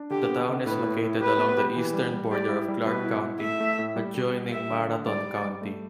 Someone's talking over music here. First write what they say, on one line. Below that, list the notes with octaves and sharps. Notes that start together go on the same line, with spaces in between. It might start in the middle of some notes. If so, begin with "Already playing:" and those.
The town is located along the eastern border of Clark County, adjoining Marathon County.
Already playing: D4
D3 G4
B3
D3
A2 B4
A2
E4
G4 B4
B3
G4
E3
G3
G3
G4 D5
E4
G3
B2 B4
E4
E4
A3 E5
A3
A2
G3
G3
G4
G3 E5
D3
D3
G3 D5
G3
G3
A3